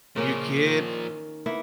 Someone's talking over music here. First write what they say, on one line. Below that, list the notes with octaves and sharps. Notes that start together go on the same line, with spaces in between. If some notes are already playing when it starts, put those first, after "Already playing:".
you could
A#2 C#3 F3 A#3 C#4
D#3
A#3 B3 E4